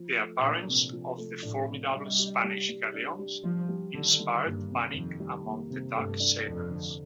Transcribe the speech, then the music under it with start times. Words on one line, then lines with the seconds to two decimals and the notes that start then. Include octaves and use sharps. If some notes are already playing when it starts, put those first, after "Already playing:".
The appearance of the formidable Spanish galleons inspired panic among the Dutch sailors.
Already playing: F3
0.17 A3
0.43 A#2 D4
0.68 C3
0.93 F3
1.18 A3
1.42 A2 D4
1.68 C3
1.93 G3 D4
2.19 G4
2.44 G3
2.69 G3
2.94 D4
3.19 G4
3.44 F3 G3
3.69 G3
3.94 D3 D#3
4.19 G3
4.44 G2 A#3
4.70 C3
4.94 F2 D#3
5.20 G3
5.44 A#3
5.70 C3
5.95 G2 A3
6.20 D4
6.46 F2 A4
6.70 D3